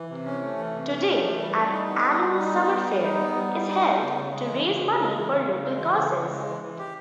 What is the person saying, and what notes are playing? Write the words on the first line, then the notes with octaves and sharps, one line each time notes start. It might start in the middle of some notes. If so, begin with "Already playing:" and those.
Today an annual summer fair is held to raise money for local causes.
Already playing: E3
C3
C#4
A3
E3
C3
C#4
A3
E3
G3
G3
D#4
B3
G3
G3
D#4
B3
G3
G3
D#4
B3
G3
G3
D#4
B3
C#3
C#3
G#3
E3
C#3
C#3
G#3
E3
C#3
C#3
G#3
E3
C#3
C#3
G#3
E3
E3
G4